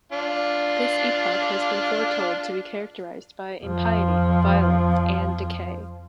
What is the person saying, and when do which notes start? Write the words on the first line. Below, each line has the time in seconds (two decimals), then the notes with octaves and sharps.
This epoch has been foretold to be characterized by impiety, violence, and decay.
0.12 D4 F4
3.63 F2 F3